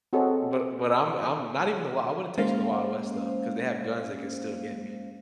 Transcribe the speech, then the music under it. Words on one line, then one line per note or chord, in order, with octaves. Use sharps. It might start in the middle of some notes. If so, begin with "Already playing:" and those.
but but I'm I'm not even the wild, I wouldn't take it to the wild west though, cause they have guns they can still get me.
C4 F#4 G#4 A4 C#5 D#5
G#3 A#3 C#4 C5 F5